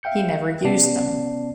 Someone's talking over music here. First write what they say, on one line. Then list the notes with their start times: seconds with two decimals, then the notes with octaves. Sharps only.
He never used them.
0.03 E5 F5 G5 G6 C#7
0.64 C3 B3 C#4 D5 A5 C7